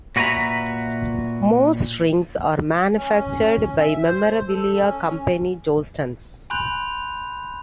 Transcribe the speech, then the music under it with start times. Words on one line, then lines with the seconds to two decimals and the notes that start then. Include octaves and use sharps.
Most rings are manufactured by memorabilia company Jostens.
0.16 A#2 F#4 B4 C#5 E5 A#5
2.95 C#4
3.80 E5
4.03 C5
4.48 A4
4.81 C#4
6.50 G#5 B5 C6 F#6 G6 F7